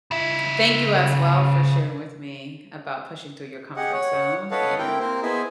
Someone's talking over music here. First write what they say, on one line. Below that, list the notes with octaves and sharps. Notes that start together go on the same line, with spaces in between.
And thank you as well for sharing with me about pushing through your comfort zone and
C#3 E5
G4 G#4 D#5 F#5
C#5 F#5
A4 B4 C#5 D#5 F5 F#5
C4 E4 G4 A#4 G5
A#3 C4 A#4 C5
B3 E4 G#4 C5 D#5 E5